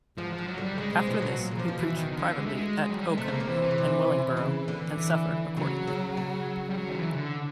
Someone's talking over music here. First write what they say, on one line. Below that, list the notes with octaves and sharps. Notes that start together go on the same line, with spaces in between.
After this he preached privately at Oakham and Wellingborough, and suffered accordingly.
G#2 F3
F3
G#2
F#3
D3 G3
C#3 G#3
C3 G#3
B2 F3
B2 F#3
A#2
C#3
C3 F3
B2
E3
D#3
D#3
D3
G#3
A3
G#3
F#3
G3
G#3
C3 A3
C#3 A#3
C3
E3
E3
C#3
C3
C#3
D3
E3
C#3 F#3
C#3
C#3
G3
F#3
D#3
E3
C#3
D3